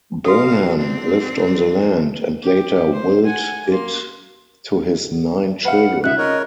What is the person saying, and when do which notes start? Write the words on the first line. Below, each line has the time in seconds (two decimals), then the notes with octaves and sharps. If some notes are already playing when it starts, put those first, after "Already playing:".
Burnham lived on the land and later willed it to his nine children.
0.25 F#4 A4 A#4 F5
0.78 C4 D4
2.43 G4
2.93 C5
3.25 F#5 G#5
3.69 A#3 C6
5.65 G3 B4 F5 F#5
6.04 C#3 B3 D#4 F4 E5 F#6
6.18 A#4 C#5 D#5